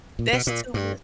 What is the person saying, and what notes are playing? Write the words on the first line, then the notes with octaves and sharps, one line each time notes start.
That's too much
A#2
B2
A#2
G2